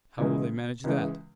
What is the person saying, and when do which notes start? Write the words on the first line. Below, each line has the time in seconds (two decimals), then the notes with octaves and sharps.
"How will they manage that?"
0.18 C#2 C#3 E3 G#3
0.84 C#2 C#3 E3 G#3